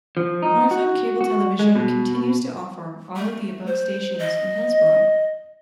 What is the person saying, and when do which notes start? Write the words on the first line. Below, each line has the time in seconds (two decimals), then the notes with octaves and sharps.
Northland Cable Television continues to offer all of the above stations in Hillsboro.
0.17 F3
0.42 D#4
0.71 F#4
1.21 F#4
1.59 G#3
1.75 B2
3.16 A3
3.66 C5
4.19 D#5